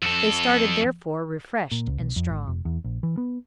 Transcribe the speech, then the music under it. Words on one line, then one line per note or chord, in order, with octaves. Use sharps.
They started, therefore, refreshed and strong.
F2 A4
A#2
C#2
B1
F2
G#1
F1
E2
A#1
E3
B3